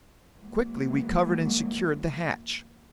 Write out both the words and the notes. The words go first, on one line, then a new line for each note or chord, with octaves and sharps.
Quickly we covered and secured the hatch.
E3 F#3 G#3 A#3